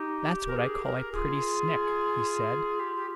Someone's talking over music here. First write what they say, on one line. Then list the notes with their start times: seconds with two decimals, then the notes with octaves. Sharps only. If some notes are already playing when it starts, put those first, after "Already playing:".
"That's what I call a pretty snick," he said.
Already playing: D#4 G4
0.47 A#4
0.57 G#4
0.84 A#4
1.12 F4 G#4
2.79 G4
2.96 G4